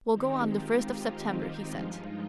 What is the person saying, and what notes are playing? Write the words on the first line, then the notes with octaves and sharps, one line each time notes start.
"We'll go on the first of September," he said.
D#3 G#3 C4 D#4 G4
F4
G4
G2 F3 G#3 D#4 F4